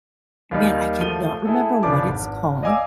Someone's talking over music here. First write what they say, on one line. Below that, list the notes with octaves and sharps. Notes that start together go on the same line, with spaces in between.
man, I cannot remember what it's called,
D#2 D#3 G3 A#3 D#4
F3 A3 F#4 D#7 G7
A3 E4 G#4 A4
F1 C#3 F3 D4 B4 D6
G#1
D5 D#5 F5 G#5 D6 E6